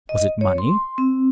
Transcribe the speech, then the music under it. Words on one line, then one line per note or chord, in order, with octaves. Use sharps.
Was it money?
D#5
C#5
C6
C4